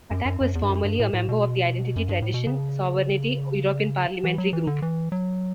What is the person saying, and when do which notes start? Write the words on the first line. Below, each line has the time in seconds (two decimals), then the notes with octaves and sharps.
Attack was formerly a member of the Identity, Tradition, Sovereignty European parliamentary group.
0.11 F#2
0.25 F#2
0.41 F#2
0.55 E2
0.63 G2
0.69 F#2
0.85 G2
1.00 A2
1.14 A2
1.29 B2
1.96 F#2
2.09 G2
2.22 A2
2.34 B2
2.47 C#3
4.24 E3
4.38 F#3
4.53 E3
4.67 D3
4.82 E3
5.12 F#3